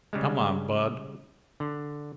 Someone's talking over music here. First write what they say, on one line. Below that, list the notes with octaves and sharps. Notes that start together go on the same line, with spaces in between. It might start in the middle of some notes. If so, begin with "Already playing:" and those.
Come on, Bud.
C#3 G3 G#3
D3